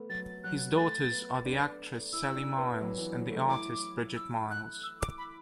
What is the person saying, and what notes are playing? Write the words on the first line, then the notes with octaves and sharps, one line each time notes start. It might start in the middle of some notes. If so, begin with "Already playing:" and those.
His daughters are the actress Sally Miles and the artist Bridget Miles.
Already playing: A3 B3
F#3 A6
F#3 F#6
A3 A6
B3
D4
E4 E6
D4
B3
F#3
E3
F#3
A3
E4 D6
E6
F#6
E6
D6
B5